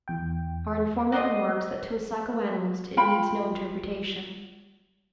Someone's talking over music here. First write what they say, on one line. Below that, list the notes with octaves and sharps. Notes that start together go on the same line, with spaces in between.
Our informant remarks that to a psychoanalyst it needs no interpretation.
E2 G5
F#4 C5 D5 D#5
F4 G5 B5